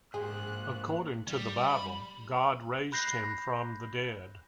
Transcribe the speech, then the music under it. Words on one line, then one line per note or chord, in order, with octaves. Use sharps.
According to the Bible, God raised him from the dead.
G#2 A#3 F4 G#4 C5 F#6
G3
B5
B5 F#6 G6 A#6 C7